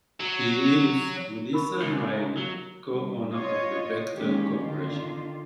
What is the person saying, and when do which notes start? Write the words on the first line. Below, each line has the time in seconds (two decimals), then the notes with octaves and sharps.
He is, with his son Riley, co-owner of the Bechtel Corporation.
0.20 F#3
1.53 A#4 B5 C#6
1.82 C#2
2.20 A#5
2.37 F#3
2.90 G2
3.35 F4 C#5 D#5
4.15 E2 D#3 G#3 A#3 C#4 G4
4.58 D3 D#3 F4